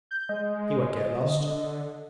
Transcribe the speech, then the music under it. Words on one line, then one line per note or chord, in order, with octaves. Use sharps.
'He won't get lost.
G6
G#3 D#5
D3